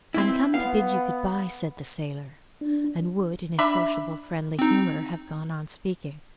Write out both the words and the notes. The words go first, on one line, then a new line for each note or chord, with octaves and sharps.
"I'm come to bid you good bye," said the sailor, and would in his sociable friendly humour have gone on speaking.
C4 E4
B3 F5
D4
D4 E5 B5
C4 D#4